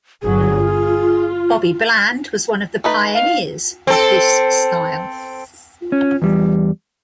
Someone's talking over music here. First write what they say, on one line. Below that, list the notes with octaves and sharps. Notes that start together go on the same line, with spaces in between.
Bobby Bland was one of the pioneers of this style.
G1 F#3 G#4
F4
A3 D#4 B4
F5
C4 A4
C#4
E2 G3